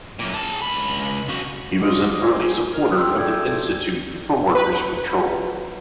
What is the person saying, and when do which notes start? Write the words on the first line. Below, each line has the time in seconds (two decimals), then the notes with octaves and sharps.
He was an early supporter of the Institute for Workers' Control.
0.19 F#2 A#2
0.34 G#4 A5
0.62 C#2 B5
1.28 C#3 F#4
1.80 F#4 G#4 C5 D5 D#5
2.22 G#2 F3 C4 G4 G#4
2.74 D#2 A#4 F6
2.96 G5 C6 E6
3.16 G#4 A4 D5 E5 G5 G#5
4.55 B4